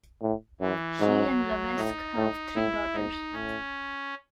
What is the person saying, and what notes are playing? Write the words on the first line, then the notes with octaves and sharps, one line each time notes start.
She and Levesque have three daughters.
A2
F#2 E3
G#2 F#3
A2 D#4
A2
A2 E4
G#2 D#4
A2 C#4